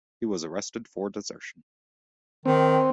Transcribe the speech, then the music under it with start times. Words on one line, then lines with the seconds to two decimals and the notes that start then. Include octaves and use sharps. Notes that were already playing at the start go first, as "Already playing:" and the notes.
He was arrested for desertion.
2.46 D#3 C4